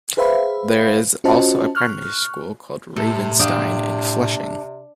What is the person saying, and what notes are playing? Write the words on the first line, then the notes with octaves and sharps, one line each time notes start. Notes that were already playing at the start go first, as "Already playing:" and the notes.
There is also a primary school called 'Ravenstein', in Flushing.
G#4 B4 C5 E5 F5 B5
C#4 F4 F#4 C5 D#5 A5
C#6 F6 F#6
A2 C3 A4
D4 F5 G5 D#6